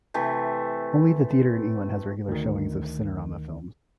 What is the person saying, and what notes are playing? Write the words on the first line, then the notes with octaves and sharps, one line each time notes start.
Only the theater in England has regular showings of Cinerama films.
C3 E3 A3
D2 D#3